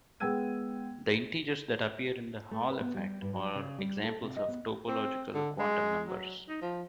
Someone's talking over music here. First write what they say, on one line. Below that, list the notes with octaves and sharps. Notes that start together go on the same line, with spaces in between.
The integers that appear in the Hall effect are examples of topological quantum numbers.
G#3 B3 G5 E6 G#6 D#7
A3
B4
B3
G3
G2
F#3
C#3
G3
A4
C3
D#5
B3
C4
D3
G#3
F#3
D#4
F3